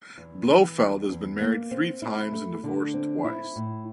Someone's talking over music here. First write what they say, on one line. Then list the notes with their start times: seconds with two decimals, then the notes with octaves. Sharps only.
Blofeld has been married three times and divorced twice.
0.18 E2
0.48 E3
0.79 E2
1.10 E2
1.41 A#3
1.71 C4
2.02 E4
2.32 A3
2.64 D3
2.94 C4
3.25 E4
3.56 A2